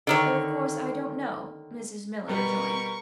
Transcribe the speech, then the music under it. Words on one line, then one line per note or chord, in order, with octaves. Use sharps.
"Well, of course, I don't know," Mrs. Miller rejoined.
D3 D#3 C#5
B2 G3 A#4 B4 C#6